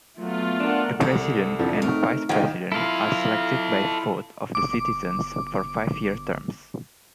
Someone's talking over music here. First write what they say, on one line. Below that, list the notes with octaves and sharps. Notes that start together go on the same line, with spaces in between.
The president and vice-president are selected by vote of the citizens for five-year terms.
F#3 A3 B3 F4
D4 A#4 F#5
C2 A4
F2 D3 F3
A3 C4 D#4 A#4
D#2 D#3 F3 D#4 F5 G5 G#6
E4 F4 A4 F5
G1 D6